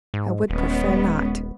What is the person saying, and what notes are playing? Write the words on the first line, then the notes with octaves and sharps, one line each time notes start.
"I would prefer not."
G#2
D#1 G#3 B3 C#4